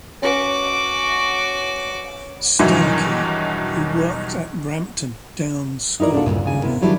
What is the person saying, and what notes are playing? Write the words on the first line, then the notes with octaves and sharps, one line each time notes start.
Starkey who worked at Brampton Down School.
C#4 F#4 B4 D6
E2 G2 B2 D#3 E3 F#3
D#4 E4 A#4 D5
C3 D4 F4 F#4 A4
D2 G2 A#2 C#3
D#2 C#3 G#5
C3 B3 E4 A#4
D3 D#3 F#3 G3 D4 E4